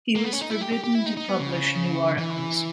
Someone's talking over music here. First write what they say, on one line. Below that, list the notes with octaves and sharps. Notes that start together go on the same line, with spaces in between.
He was forbidden to publish new articles.
A#3
B3
C#4
D#4
E4
G4
G4
G4
E4
D#4
D#4
B3
C#3
E3